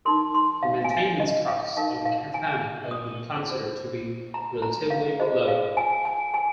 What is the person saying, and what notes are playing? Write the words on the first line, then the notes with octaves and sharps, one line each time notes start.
The maintenance costs of the Katana have been considered to be relatively low.
D#4 A#4 C6
C6
F5
G#5
F5
D#5
F5
D#4 A#4 F5
F5
G#5
D#6
F4 C5
A#5
A#5
F5
F4 G#4 C5 D#5
F5
G#5
G#5
G#5